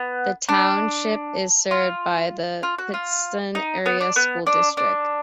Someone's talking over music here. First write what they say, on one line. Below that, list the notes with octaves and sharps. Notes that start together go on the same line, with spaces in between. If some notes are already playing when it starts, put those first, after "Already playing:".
The township is served by the Pittston Area School District.
Already playing: B3
D4
F4
F4
F#4
F4
D#4
B3
D4
B3
D4
D4